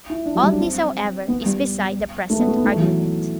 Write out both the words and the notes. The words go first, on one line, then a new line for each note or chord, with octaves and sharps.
All this, however, is beside the present argument.
E4
D4
F#3
G3
D4
C4
B3
G3
A3
B3
A3
B3
A3
E3
F#3